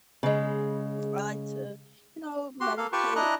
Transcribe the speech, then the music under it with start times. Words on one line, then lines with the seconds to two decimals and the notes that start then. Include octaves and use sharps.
I like to, you know, meditate.
0.23 C#3 G#3
2.60 F#4 G4 C6
2.77 A#3 A4 F5
2.93 F4 G4 B4 G5 A5 C#6
3.16 D4 E4 D#5 A#5 F#6